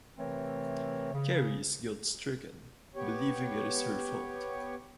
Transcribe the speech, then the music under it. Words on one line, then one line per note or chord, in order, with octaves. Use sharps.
Carrie is guilt-stricken, believing it is her fault.
C3 E3 A3 C4 A#4 C#5
C#3
B3 G4 C#5